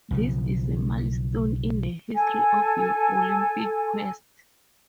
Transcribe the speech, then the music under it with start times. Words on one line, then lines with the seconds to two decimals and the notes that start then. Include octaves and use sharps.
This is a milestone in the history of your Olympic quest.
0.11 B1 C#3 F3
2.16 A4 G#5